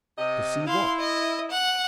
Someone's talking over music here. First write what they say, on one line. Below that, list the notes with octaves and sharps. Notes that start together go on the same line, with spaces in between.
To see what?
C3 D#5
E4 F5 C6
D#5
F#5